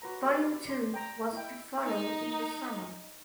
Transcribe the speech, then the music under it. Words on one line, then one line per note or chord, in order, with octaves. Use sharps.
Volume Two was to follow in the summer.
F#4 B4 A#5
G4 B4 D5 E5
D5 C6
G5 A#5
E4 D#5 G5
D#4